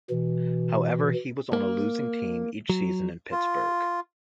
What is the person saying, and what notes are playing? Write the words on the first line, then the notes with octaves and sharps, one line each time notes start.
However, he was on a losing team each season in Pittsburgh.
B2 E3
A#3
F#3
F4